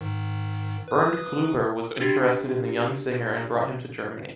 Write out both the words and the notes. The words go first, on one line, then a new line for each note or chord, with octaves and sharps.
Bernd Clüver was interested in the young singer and brought him to Germany.
G#2 D#3
B4 D#6
D4 F#4 G4 A6 B6 C7